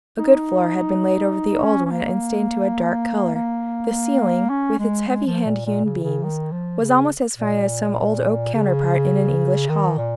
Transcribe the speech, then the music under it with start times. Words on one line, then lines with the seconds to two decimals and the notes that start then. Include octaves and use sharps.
A good floor had been laid over the old one and stained to a dark color; the ceiling, with its heavy hand-hewn beams, was almost as fine as some old oak counterpart in an English hall.
0.18 D#4
1.62 C#4
1.86 C#4
1.91 A#3
3.35 A#3
4.50 C#4
4.79 G#3
5.08 G#3
5.26 F3
5.45 A#2
5.66 A#2
5.85 C#3
6.04 C#3
6.23 D#3
6.52 F3
6.81 C#3
7.38 A#2
8.54 C#3
9.69 D#3
9.97 A#2